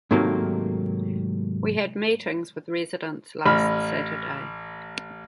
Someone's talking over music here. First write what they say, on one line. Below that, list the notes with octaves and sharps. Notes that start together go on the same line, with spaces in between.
We had meetings with residents last Saturday.
G#2 C3 D#3 F#3 A3 A#3
A1 B5 F6